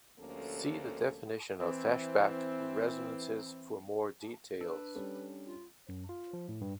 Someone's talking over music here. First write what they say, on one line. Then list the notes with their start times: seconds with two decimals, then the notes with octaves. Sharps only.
See the definition of Feshbach resonances for more details.
0.19 D2 F3 A#3 C#4 G4 A4
1.60 E3 C4
4.61 D4 B4 E6
4.95 G3 C#4 A4
5.46 F4
5.89 F#2
6.09 F4
6.33 F3
6.48 A2
6.61 G2